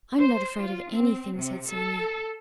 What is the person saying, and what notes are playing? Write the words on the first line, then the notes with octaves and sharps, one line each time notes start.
"I'm not afraid of anything," said Sonya.
C5
F4
C4
C3
A4